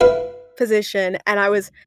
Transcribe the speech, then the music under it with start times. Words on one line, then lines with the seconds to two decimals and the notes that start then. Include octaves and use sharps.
position, and I was
0.01 E4 B4 F5